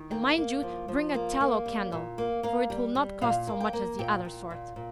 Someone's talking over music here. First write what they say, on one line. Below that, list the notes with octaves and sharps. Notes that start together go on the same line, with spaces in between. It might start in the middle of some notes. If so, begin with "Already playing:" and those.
And mind you bring a TALLOW candle, for it will not cost so much as the other sort.
Already playing: D#3
A#3 G5
A#3
F3
F3
A#3
A#3
G3
A#2
A#3
A#3 F5
G3
G3
A#2 F5
A#3
G5
A#3
A#2 G5
A#2
A#2
A#2